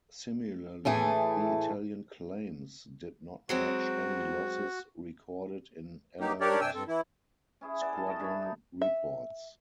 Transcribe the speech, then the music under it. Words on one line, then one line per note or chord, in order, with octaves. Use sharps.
Similarly, the Italian claims did not match any losses recorded in Allied squadron reports.
A2 E3 A3 G#4
F#3 G#3 C4 F#4
F#3 A#3 D#4 G4
D4 G4 A#4 C#5 D5
G2 C3 D4 G5 G#5 E6
G2 C4 A4
E3 E4
C#4 E4 G#4
D5 E5 F#5 G#5
A4 F5 A5
C#4 D#5 A5
D4 E4 C#5 B5
D#4
E5